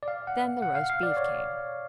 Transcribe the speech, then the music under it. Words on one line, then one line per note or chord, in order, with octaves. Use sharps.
Then the roast beef came.
D5
F5
F#5
F#5
F5
F5
D5
C#5